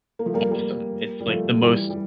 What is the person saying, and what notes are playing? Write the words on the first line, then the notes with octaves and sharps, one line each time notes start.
awesome. It's, like, the most
A#3
F3 A3
G3 A#3
G3 A#3
G3
F3 A3
E3 G3
G3